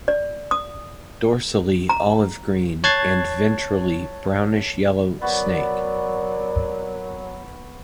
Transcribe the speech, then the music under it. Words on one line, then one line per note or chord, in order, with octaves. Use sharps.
Dorsally olive green and ventrally brownish yellow snake.
D5
D#6
A#5
C#5 A5 F#6 G#6 A6 C7
F#3 B3 F#4 A#4 B4 D5